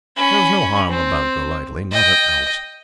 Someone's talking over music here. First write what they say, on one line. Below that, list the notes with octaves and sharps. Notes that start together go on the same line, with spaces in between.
There was no harm about Golightly--not an ounce.
C#4 B5
C4
D#5 G5